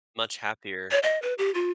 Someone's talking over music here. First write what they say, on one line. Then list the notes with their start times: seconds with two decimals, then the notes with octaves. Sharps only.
much happier.
0.91 C#5
1.03 D#5
1.22 B4
1.38 G4
1.54 F4